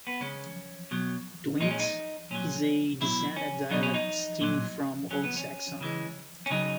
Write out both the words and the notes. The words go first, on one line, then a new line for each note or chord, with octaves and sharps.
Tweants is a descendant dialect stemming from Old Saxon.
B3
C#3 G#3 C#4
B2 F#3
A#2 G#3 D#4
C#4
D#4
A#2 F#3 C#4
B2 F#3 E4
C#4
B2 F#3 D#4
C#4
D#4
A#2 F#3
C#3 F#3 C#4
B3
C#4
C#3 E3 G#3
C#4
C#3 F#3 D#4